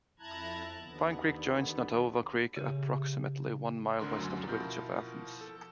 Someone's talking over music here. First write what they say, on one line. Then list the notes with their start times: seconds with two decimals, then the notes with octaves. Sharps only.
Pine Creek joins Nottowa Creek approximately one mile west of the village of Athens.
0.19 F2 E4 A5 A#5 F#6 G#6
0.79 D#2 D3 B3
2.56 C#3 G4
3.99 G#1 D2 D3 A#4 C6
4.18 F#2 F#3
4.48 B2 F3 E4 A#4 G6
5.41 A4